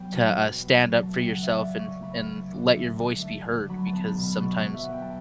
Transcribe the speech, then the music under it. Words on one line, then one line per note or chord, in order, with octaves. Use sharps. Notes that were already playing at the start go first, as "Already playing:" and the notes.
to, uh, stand up for yourself and and let your voice be heard, because sometimes
Already playing: F#3 B3 G5
B2
F#3
B3
F#3
A5
A3
G5
C#3 F#5
E5
C#3 D5
F#3 C#6
A3 B5
A3
D3
A3
D3 A5
A3
D3
F#3 B5
A5
B3
A5
B5
B2
B5
B2 C#6
F#3
E5
F#5
B3 G5
A5